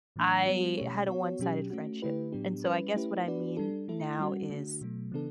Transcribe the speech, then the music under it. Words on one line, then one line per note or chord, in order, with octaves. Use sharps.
I had a one-sided friendship, and so I guess what I mean now is
A2 E3 A3 D4
G3 B3 F#4
B2 A3 C#4 G4 C#5
B3 F#4 C#5
B2 F#3 C#4 G4
A3 C#4 F#4
D3 A3 E4 G4 B4
A2 F#3 B3 D4 G4
G3 C#4 E4 B4
A3 C#4 E4 G4 B4
B3 D4 F#4 B4 D5
G3 D4 A4
A3 E4 A4
G3 C#4 F#4
D3 A3 D4 F#4
B2 F#3 A3
C#3 E3 B3 D4 A4